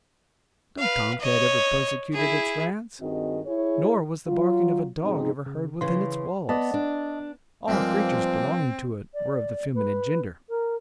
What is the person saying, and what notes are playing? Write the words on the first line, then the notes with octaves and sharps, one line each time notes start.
No tom-cat ever persecuted its rats, nor was the barking of a dog ever heard within its walls; all creatures belonging to it were of the feminine gender.
B4 F5
C#5 D#5
E4 G#4
G2 D#3 C4 F#4 G#4 D#5
E4 G#4 C#5
F#3 F4
G#2 B2 F3 G#3 C4 D#4
C#3
C#3 E3 C6
B3 D5 D#5 A5
D4
G2 F3 G#3 A#3 C4
D5
B4
A#4